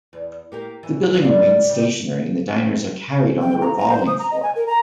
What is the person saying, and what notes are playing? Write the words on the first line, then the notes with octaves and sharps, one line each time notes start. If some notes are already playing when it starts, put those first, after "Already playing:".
The building remains stationary and the diners are carried on the revolving floor.
E2
A#3 G4 A#4
B2 E3
D4 F5
C#3 G3 C4
G5
A#5
A#5
C5
D#6
A#5
D#5
G#5
A#4
A#5